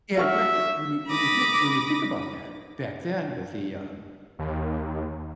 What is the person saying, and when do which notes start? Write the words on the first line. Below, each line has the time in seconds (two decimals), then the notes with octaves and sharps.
Yeah, in fact, w when you when you think when you think about that back then with the, um,
0.17 F#4 E5 C#6 F6
1.09 B5 D6 D#6 A#6
4.39 D#2